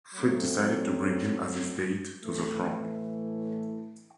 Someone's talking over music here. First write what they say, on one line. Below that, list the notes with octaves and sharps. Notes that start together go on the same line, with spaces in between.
Fricke decided to bring him as his date to the prom.
F#3 A3 C4
A2 E3 A3